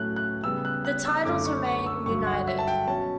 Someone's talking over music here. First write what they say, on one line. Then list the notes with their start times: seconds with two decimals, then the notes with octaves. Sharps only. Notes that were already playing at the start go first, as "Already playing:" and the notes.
The titles remain united.
Already playing: A2 F#3 A3 C#4 F#6
0.16 F#6
0.44 C#3 G3 B3 E6
0.65 F#6
0.85 F#6
1.05 E6
1.25 F#2 D3 A3 C#4 D6
1.46 C#6
1.66 C#6
1.86 E6
2.06 G2 D3 F#3 C#6
2.27 F#5
2.47 E5
2.59 A5
2.68 G5
2.88 B2 F#3 C#4 A5